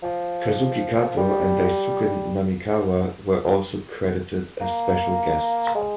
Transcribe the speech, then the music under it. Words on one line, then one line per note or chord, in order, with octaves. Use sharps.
Kazuki Kato and Daisuke Namikawa were also credited as special guests.
F3
G3
A#3
G#3